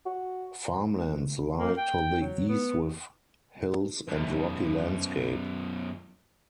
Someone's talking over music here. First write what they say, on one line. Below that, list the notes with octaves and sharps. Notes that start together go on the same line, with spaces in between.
Farmlands lie to the east with hills and rocky landscape.
F#4
A#3
G5
F#3
B3
F#2 B2